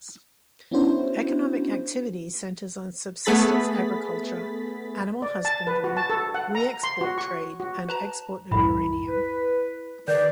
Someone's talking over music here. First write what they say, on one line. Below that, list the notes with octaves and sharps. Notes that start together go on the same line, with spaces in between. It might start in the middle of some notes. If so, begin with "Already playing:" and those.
Economic activity centres on subsistence agriculture, animal husbandry, re-export trade, and export of uranium.
B3 C#4 D4 E4 F#4 C5
A3 B3 G#4 B5 A6 B6
D5
A5
B4
F#4
A5
A4
F#5
A#5
C6
F#4
C#6
F#4
B4 A5 A#5
C2 F#2 A2 E4 B5
B4
D#3 G#4 B4 D5 G6